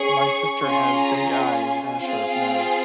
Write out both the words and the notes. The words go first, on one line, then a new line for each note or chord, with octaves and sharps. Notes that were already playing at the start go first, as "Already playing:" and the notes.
My sister has big eyes and a sharp nose.
Already playing: C#4 G#4 C#6
C#4 F4 G#4 C6
A#5
G#5
C4 F4 G#4 F5